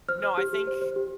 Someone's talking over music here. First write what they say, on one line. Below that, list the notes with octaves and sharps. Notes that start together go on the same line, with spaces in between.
no, I think
C5 F6
C5 F6
G4 F6
G4
C5
C5
G4